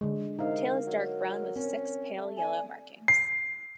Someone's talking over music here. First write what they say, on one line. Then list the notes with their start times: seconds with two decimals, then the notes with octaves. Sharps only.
Tail is dark brown with six pale yellow markings.
0.01 D3 G#3
0.39 C3 D#4 A#4 F5
0.87 F#3
1.56 C4 C#4
2.17 A3
2.37 D5 G#5
3.08 C7